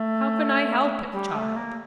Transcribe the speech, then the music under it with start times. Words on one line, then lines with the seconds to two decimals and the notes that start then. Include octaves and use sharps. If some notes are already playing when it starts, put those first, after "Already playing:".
How can I help it, child?
Already playing: A3
1.12 G3
1.34 A3
1.56 A#3